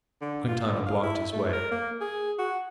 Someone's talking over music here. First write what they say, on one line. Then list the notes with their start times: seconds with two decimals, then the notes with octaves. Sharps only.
Quintana blocked his way.
0.21 D3
0.48 F4
0.68 D3
0.87 F5
1.03 E4
1.33 A3
1.53 A#4
1.71 A#3
2.01 G#4
2.39 F#4